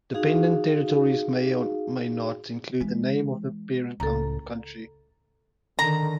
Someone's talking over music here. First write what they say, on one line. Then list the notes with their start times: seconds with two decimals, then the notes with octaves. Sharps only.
Dependent territories may or may not include the name of the parent country.
0.14 D#4 F#4 G#4 F5
2.81 E3 G#3
4.00 C#2 A2 A4 A#5
5.79 D3 D#3 A#5